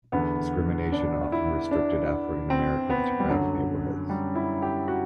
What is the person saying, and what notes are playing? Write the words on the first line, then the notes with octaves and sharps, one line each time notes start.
Discrimination often restricted African Americans to crowded neighborhoods.
E2 D3 B3
D4
E4
D4
C4
B3
G3
F#2 D3 F#3
G3
E4
G4
F#4